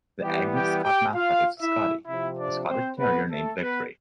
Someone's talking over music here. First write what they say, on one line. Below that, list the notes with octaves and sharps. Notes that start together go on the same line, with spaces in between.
The Agnes Scott mascot is a "Scottie," a Scottish Terrier named Victory.
E3 G3 B3 G4 G5
G4 G5
G4 G5
F4 F5
E4 E5
C3 F3 C4 E4 E5
D4 D5
C4 C5
B3 B4
A3 A4
B3 B4